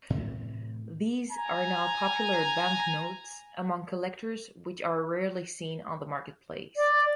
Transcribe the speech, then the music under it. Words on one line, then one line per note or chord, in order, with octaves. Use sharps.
These are now popular banknotes among collectors which are rarely seen on the marketplace.
A2 C3 E3 A3
G#5 A#5
D5